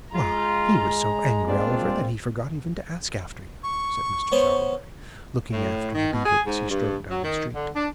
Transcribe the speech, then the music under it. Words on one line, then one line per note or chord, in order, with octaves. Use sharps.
'Why, he was so angry, Oliver, that he forgot even to ask after you!' said Mr. Sowerberry, looking after the beadle as he strode down the street.
G#3 F4 A#5
A#2 C4 D4 F4 D5
C#6
B3 C#4 C5
A2
D#3
B2
G#4
G#2
G2
F#3
D#3
D3
D4